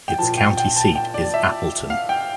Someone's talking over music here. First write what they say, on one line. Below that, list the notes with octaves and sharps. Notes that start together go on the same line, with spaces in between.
Its county seat is Appleton.
G5
A#2 F3 A5
G5
G5
A5
G5
D5
E5
F5
G5